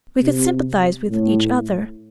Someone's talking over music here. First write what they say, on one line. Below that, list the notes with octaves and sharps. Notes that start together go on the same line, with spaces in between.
We could sympathize with each other.
C3
A2